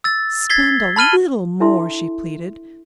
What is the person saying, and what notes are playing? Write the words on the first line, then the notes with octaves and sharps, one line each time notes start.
"Spend a little more," she pleaded.
E6 A6
G#6 A6 B6 C7 G7
A5 B5 F6 D#7 G7
D4 E4 A4 E5 C6